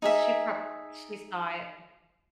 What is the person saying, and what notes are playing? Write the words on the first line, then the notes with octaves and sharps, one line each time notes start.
She prob She saw it. Mm.
D#4 G#4 E5